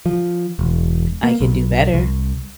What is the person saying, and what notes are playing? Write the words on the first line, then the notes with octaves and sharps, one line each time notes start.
I can do better,
F3
E1
A#3
B1
C2